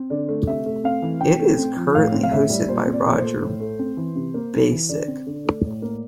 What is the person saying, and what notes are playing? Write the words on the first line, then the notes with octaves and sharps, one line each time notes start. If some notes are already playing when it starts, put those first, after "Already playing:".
It is currently hosted by Roger Basick.
Already playing: C4
D3 D5
A3
C3 E5
A3
C4 F5
E3
C3 G5
A3
C4
F3
A2 F5
C4
F5
A2 E5
G3
A#2 C5
C4
D5
A#2
A3 C5
A2
A3
C4
E3
C3
A#3
C3
E3
D3 D5
C4
D3
A3
A2
A#3